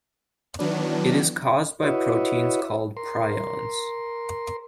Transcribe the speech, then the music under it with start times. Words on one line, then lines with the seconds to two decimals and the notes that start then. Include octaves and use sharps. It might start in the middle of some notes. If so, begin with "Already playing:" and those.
It is caused by proteins called prions.
0.59 D#3 E3 F#3 B3 D4
1.83 E4 F#4 B4 C#5 D#5 E5
2.97 A#4 C6